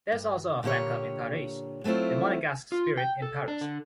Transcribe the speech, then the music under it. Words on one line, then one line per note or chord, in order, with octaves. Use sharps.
There is also a fan club in Paris, the Monegasque spirit in Paris.
G2
A#2 D3 A#3 G4 C#5
F#3 A3 C4 E4 F4
F4
G5
A4
D4
D3